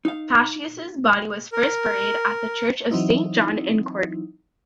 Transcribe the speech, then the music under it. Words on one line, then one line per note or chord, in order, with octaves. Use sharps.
Paschasius' body was first buried at the Church of Saint John in Corbie.
D#4 F5
A#4
E3 F#3 C4 D#4 E4